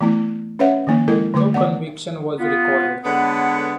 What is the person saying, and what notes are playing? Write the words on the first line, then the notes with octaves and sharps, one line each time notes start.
No conviction was recorded.
E3 A3 B3 E4
C#4 B4 C#5 E5 F#5
D#3 F3 A#3 D#4
F3 G#3 E4 A4 A#4 D#5
D3 A3 B4 D6
E3 B3 D5 F#5
B3 F4
D3 G#3 B3 A4 C#5 F#5 B5